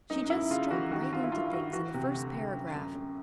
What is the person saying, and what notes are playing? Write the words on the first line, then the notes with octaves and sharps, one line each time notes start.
She just struck right into things in the first paragraph.
F#2 D#4
F#2 E4
C#3 F4
E3 F#4
D#3 F#4
F#4
G2 F4
E4
G2 F4
G2 F#4
E3 F#4
C3
D2
D2
F#2
F#2
F#2